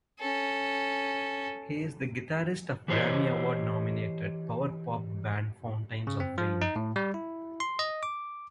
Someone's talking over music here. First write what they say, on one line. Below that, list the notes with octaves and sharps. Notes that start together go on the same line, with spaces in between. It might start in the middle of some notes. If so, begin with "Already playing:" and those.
He is the guitarist of Grammy Award-nominated power pop band Fountains of Wayne.
C#4 A4
E3 G4 C5 C#5 D#5
C#3
C4
F3
D#4
A2
G3
E4
C6
D#5
D6